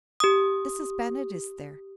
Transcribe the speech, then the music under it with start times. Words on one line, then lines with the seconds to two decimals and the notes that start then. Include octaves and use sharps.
Mrs. Bennett is there.
0.20 G4 D#6